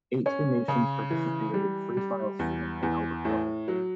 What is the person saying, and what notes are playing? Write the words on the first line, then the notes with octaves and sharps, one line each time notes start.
Eighteen nations participated in freestyle skiing at Albertville.
C#4
C#3
E3
G3
G3
E2
E2
A2
F#3